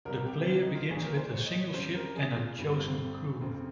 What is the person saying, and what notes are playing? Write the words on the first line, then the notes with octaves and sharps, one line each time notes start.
The player begins with a single ship and a chosen crew.
C2 C3 G3 A#4
G4
F4
D#4
F4
A#1 A#2 G3 G#4
A#4
C5
C#5
D#5
C#5
F2 C#3 G3 C5
A#4
G#4
F4
G1 G2 G3
C4
C4
F1 F2 C#3 C4